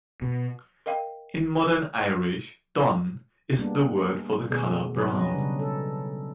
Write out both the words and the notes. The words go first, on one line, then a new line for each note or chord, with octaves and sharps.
In modern Irish, "donn" is the word for the colour brown.
B2
A#4 D#5 F5 G5
G3 G#3 A#3 B3 D4
B2 D#3 A3 B3 G#4
F#3 B4 C#5 D5
B3 C#4 D#4 D#5
C#3 G3 D4
A4